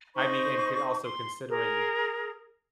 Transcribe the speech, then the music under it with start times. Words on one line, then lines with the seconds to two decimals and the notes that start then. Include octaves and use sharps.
I mean and can also considering
0.14 D#4 C5 B5 C#6
1.02 C6
1.48 G#4 A#4